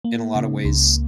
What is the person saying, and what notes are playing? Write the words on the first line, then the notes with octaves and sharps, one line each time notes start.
In a lotta ways,
A#3
C#3
C#2